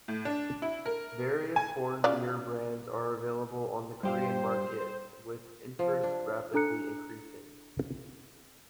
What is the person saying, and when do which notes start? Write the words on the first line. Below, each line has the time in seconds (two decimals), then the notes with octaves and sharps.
Various foreign beer brands are available on the Korean market, with interest rapidly increasing.
0.08 A2
0.25 D4
0.62 E4
0.86 A#4
1.56 G#5
2.04 C#3 F4 D5
4.03 G2 G4 C5 F5
5.79 F3
6.04 D4
6.54 D4 A4 A#5 F#6 C#7